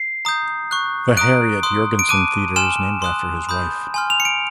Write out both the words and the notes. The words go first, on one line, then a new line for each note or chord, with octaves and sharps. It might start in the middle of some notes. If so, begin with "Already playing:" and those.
The Harriet Jorgensen Theatre is named after his wife.
Already playing: C7
A#5 D#6 G6
C#6 F#6
A#5 D#6 F#6 D7
C6 D#6 F#6
D7
A5 D6 F#6 D#7
G#5 C6 F6 E7
C6 D#6 F#6
B5 D#6 G6
G#5 C6 F6
F7
C#7
D7